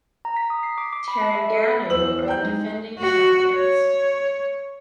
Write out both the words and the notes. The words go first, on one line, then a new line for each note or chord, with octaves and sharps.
Terengganu are the defending champions.
A#5
B6
D#6
C7
D6
D6
B5
A5
E5
A4
B5
E2 B4 C5 E6 F#7
G5 A#5 G6
G#3 D#4
F#4
C#5